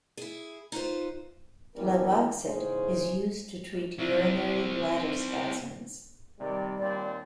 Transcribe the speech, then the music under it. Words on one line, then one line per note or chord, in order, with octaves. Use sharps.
Flavoxate is used to treat urinary bladder spasms.
E4 G#4
D#4 F4 B4 C5
G#1 E3 G3 B3 D4 A#4
E2 G#2 C#3 G#4 C5
C4 E4
C3 D#3 G3 D5
D#2 A#2 C4 D5